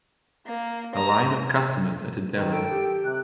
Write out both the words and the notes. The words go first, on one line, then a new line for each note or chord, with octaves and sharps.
A line of customers at a deli.
A#3
A#5
D#3
A4 G5
G4
C3 F#6